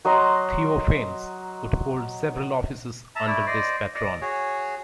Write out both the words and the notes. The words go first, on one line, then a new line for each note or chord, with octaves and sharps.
Theophanes would hold several offices under this patron.
F#3 D#5 A#5 C6
E5 A5 A#5
A3 E4 D5
C5 D5 D#5
D5 D#5
F#4 G#4 C#5